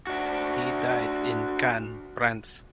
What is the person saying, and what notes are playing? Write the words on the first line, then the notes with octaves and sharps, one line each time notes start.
He died in Cannes, France.
D4 F#4